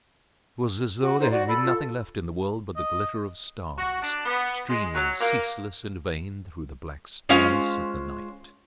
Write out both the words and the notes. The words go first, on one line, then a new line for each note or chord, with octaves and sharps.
It was as though there had been nothing left in the world but the glitter of stars streaming, ceaseless and vain, through the black stillness of the night.
F#4
D#4 C5
F#4 D5
A4 B5
F4
D#5
F#4
D4
B3
G#3
F#3
A#3
G#3 C#4 F4 C5 F5